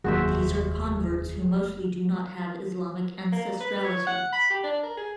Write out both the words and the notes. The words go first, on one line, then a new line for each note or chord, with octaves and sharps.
These are converts who mostly do not have Islamic ancestrality.
F1 D#2 F#3 F#4 G#4 C5 E5
A#3
B4
C#5
F#5
B5
G4
D4
A#4
G#4